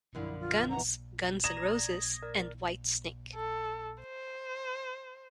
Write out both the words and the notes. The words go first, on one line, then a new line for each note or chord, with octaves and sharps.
Guns, Guns N' Roses and Whitesnake.
F#2 D3 F3 E4
F4
E2 E3 F#5 A#5
D5 A#5 D#6 G#6 A#6 E7
A#4 D5
A4
C5